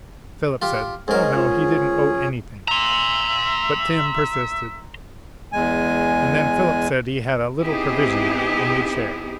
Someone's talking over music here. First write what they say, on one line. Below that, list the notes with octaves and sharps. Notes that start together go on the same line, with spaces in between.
Philip said, Oh, no, he didn't owe anything; but Tim persisted, and then Philip said he had a little provision now, and would share.
F4 G4
G#2 C#4 G#4 A#4 D#5
F4
E5 A#5 C6
E2 G#3 G#5
B3 C4 D#4 E4 G4 G#4